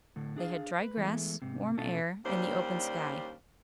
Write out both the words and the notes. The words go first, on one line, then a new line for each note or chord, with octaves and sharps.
They had dry grass, warm air and the open sky.
A2 D3
D4 G#4 E5 F5
B4
E3 G#3 A3 B3
G#2 C3
B2 A3 C#4 F4 A4 A5
D#2 G3 C#4 D4 C5 D5